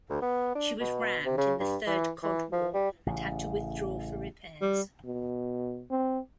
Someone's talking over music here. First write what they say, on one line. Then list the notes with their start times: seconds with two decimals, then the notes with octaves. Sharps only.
She was rammed in the Third Cod War and had to withdraw for repairs.
0.10 D2
0.22 B3
0.55 D4
0.80 B2
1.25 C3
1.38 C#3
1.60 G2
1.87 E3
2.23 E3
2.53 F3
2.74 G3
3.06 A1 C#3
4.62 G3
5.05 B2
5.91 C4